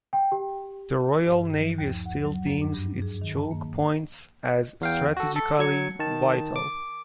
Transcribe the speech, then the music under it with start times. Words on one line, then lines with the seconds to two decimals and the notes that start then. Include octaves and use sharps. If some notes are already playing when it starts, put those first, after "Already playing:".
The Royal Navy still deems its choke points as strategically vital.
0.13 G5
0.32 G4
1.26 G2
1.58 F3
1.78 D#2
2.06 F#5
2.25 F#3
2.46 F#2
2.62 D4
2.74 G2
3.02 G#4
3.22 D#3
3.36 A5
3.51 A#3
4.81 E2 F5 G5
5.17 F#4 A4
5.36 A4
5.59 F#3 G#6 C#7
5.99 D#3 A5
6.56 D6